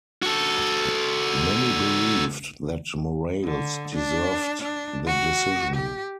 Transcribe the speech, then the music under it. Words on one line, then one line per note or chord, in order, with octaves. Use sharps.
Many believed that Morales deserved the decision.
F#4 A4
D3
D4
D4
F#4
G4